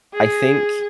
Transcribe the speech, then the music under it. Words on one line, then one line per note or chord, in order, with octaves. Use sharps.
I think,
G#4